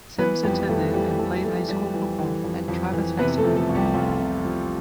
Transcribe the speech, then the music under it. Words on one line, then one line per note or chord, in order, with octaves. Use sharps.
Sims attended and played high school football at Travis High School.
E3 B3 B4
F2 G3 G4
F2 A3 A4
E3 G3 G4
E3 A3 A4
F2 A3 A4
F2 G3 G4
E3
E3
F2
F2
E3
C3 B3 B4
A3 A4
F3
A3 A4
C2
G3 G4
C2 F4
C3
F3